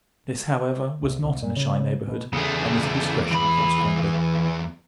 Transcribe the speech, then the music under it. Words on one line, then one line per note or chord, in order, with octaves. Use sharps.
This, however, was not in a shy neighbourhood, and is a digression consequently.
C2
C2
A#2
C#3
B2
E2 C#3 A3 G#4
E3 B5